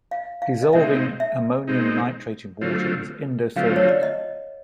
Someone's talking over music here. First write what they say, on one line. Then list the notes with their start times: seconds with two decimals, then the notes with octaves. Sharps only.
Dissolving ammonium nitrate in water is endothermic.
0.11 F5
0.42 F5
0.63 D#5
0.73 B2 G#3 C4 D#4 E5
1.20 E5
1.68 B2 G#3 C4 D#4
2.61 D3 F#3 A3 C4 F4
3.56 D3 F#3 A3 C4 F4 F5
3.76 C#5
3.89 D5
4.03 D#5